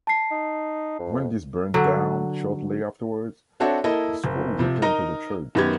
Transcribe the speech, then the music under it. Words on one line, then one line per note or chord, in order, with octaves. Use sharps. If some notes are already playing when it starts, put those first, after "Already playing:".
When this burnt down shortly afterwards, the school returned to the church.
A5 C7
D#4
F2
D3 F#3
C4 D4 F#4 A4 C#5 E5
A#3 E4 A4 D#5
F#1
C3 F3
D#4 A#4 D#5 A#5
F#2 D#3 B3 G4 G#6